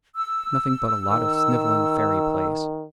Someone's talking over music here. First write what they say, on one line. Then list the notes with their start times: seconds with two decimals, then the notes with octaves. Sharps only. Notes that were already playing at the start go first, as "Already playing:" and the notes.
Nothing but a lot of snivelling fairy plays.
0.16 E6
1.10 D#3